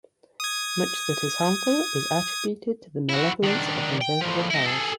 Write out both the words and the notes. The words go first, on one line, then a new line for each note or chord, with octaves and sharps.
Much that is harmful is attributed to the malevolence of invisible powers.
D#6 G#6
E4 F#4
D#3 D4
G5
A2 F3
E4 D#5
G#4 A4